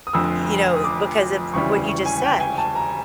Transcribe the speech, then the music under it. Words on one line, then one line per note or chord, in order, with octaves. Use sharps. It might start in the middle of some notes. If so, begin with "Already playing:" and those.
Y you know, because of what you just said,
D#6
F1 F2 D3 E6
D#6
D6
E1 D2 C#3 E3 G3 C#6
C#6
G#5
G5
G5
G#5
A5
A#5